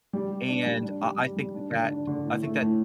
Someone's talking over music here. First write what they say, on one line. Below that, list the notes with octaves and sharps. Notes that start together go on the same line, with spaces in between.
and uh, I think that I think that
G3
G4
D4
G3
D4
G3
G3
G3
D4
D3
D4
D3
A2
A3
A2